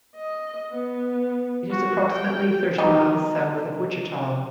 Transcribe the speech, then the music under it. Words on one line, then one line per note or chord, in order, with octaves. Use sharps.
It is approximately thirty miles south of Wichita.
D#5
B3
F#4
G5
B2 G3 D#4